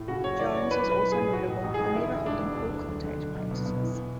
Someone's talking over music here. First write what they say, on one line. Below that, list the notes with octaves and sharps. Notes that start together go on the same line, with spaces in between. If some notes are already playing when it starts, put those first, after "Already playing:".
Jones is also notable for never holding full-contact practices.
Already playing: A2
C#3 F#4
F#1 C#5
E3 D5
F#2 C#5
E3 B4
B1
B4
B1
G#4
A2
E3 F#4
A1
A1
G#4
G#2
D3 E4
E1
E1 D4
E2
D2 D4
D2
D3
D3
B1
B1
B2
B2
E3